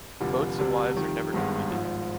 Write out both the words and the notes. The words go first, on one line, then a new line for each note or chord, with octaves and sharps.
Boats and wives are never completely happy.
F1 F2 D3 G3
D2 C3 G3
F2 D#3 G3
G#1 G2 D#3 G#3 B3
G#1 G#2 F3